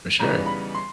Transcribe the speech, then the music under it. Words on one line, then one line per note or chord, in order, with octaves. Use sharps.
For sure.
C#3 E3 G3 B3 D#4 A#5
B5
C6